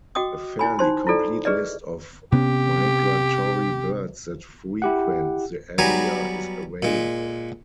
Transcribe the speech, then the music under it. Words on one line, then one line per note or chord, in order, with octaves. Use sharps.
A fairly complete list of migratory birds that frequent the area is available.
F#4 D#5 G5 D6 D#6
E4 G#5 B5
D#4 C5 C6
E4 F4 A4 D5
G4 G#4 B4 D5 D#5
C3 B3 C#4 G4
E4 G4 F#5
F#3 G3 B3 G#5 A#5
A#2 G#3